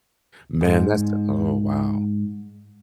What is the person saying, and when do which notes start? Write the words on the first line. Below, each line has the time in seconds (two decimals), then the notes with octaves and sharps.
Man, that's oh, wow.
0.61 E2 G#2